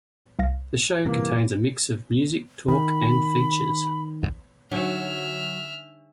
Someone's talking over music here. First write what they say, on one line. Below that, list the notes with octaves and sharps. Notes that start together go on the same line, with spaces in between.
The show contains a mix of music, talk and features.
C2 F5 A#6
G2 C3 E3 A#3
D#3 B5
D3 F#3 D4 D#4 E5 F6